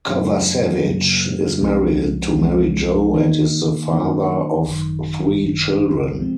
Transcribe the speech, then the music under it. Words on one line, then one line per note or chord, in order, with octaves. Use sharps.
Kovacevich is married to Mary Jo and is the father of three children.
F#2 C#3 F#3 A#3
F#2 C#3 F#3 A#3
C2 C3 F3 G#3 C#4
C2 C3 F3 G#3 C#4
D#3 A#3 D#4
D#3 A#3 D#4
G#1 F#2 D#3
G#1 F#2 D#3
C3 F3 G#3 C4